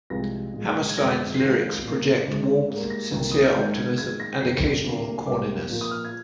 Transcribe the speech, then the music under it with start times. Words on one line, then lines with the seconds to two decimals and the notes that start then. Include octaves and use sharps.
Hammerstein's lyrics project warmth, sincere optimism, and occasional corniness.
0.10 C2 C3 F3 G#3 A#6
0.53 A#2 F3 G#3
0.89 G#6
0.96 F2 D3 G#3 A#6
1.34 C7
1.40 D#2 D#3 G#3 A#6
1.82 A#2 G3 A#3
2.26 D2 D3 G#3
2.69 G#2 G3 A#3
2.90 A#6
3.11 C2 C3 D#3 A#3
3.31 D#6
3.43 F6
3.54 G#2 D#3 G#3 G6
3.76 G#6
3.98 G#2 D#3 G#3 G#6
4.20 A#6
4.41 F2 C3 D#3 C7
4.84 D2 C3 G3 A#3
5.26 C2 C3 G3 A#3 D6
5.70 A#2 F3 A#3
5.81 D#6
5.91 F6
6.05 G#6